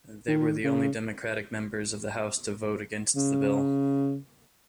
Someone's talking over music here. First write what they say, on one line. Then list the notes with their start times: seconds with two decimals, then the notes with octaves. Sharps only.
They were the only Democratic members of the House to vote against the bill.
0.28 D#3
0.64 C#3
3.16 C#3